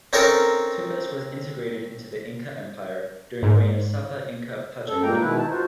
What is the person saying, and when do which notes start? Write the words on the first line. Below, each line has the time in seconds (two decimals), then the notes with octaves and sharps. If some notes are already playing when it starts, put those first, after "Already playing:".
Tumbes was integrated into the Inca Empire during the reign of Sapa Inca Pachacuti.
0.13 C4 C#4 D#4 A4 A#4 C#5
3.43 G#2
4.88 F#2 A4
5.03 G2 A#2 G#3 A#3 G5 A#5
5.19 B2 D#3 G#3 E4 B4
5.38 D#4 E4 A5
5.49 F4 F#4 C5